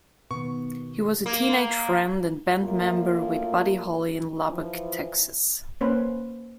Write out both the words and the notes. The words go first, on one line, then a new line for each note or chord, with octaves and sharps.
He was a teenage friend and band member with Buddy Holly in Lubbock, Texas.
B2 D#3 B3 C#6
A#3
F#2 A3 A#3 F4
E3 F3
A#3 C#4 B4 C5